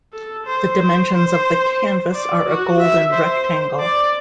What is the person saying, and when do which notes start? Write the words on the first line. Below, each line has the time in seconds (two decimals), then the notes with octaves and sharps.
The dimensions of the canvas are a golden rectangle.
0.13 A4
0.46 C5
0.80 C5
1.13 C5
2.14 D5
2.46 F#4
2.80 E5
3.13 C5
3.79 D5